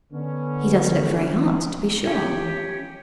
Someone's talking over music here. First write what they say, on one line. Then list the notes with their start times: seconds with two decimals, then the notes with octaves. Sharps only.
"He does look very hot, to be sure."
0.12 D3 B3 C#4
2.07 C#4 G4